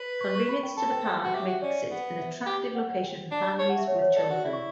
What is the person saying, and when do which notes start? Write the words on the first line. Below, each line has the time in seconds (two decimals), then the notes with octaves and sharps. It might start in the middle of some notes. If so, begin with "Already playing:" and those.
Convenience to the park makes it an attractive location for families with children.
Already playing: B4
0.21 C#6
0.35 C#6
0.49 B5
0.63 G5
0.77 A4 A5
0.92 G5
1.05 G5
1.20 G5
1.24 F#4
1.34 G4 E5
1.47 F#4 E5
1.62 C#4 D5
1.91 B3
2.18 E5
2.46 G4
2.75 F#5
2.89 F#5
3.03 G5
3.31 D4
3.59 C#5 A5
3.69 F#5
3.78 E5
3.87 C#5
4.02 C#5
4.16 A4 D5
4.30 F#4
4.44 E4 E5
4.53 C#6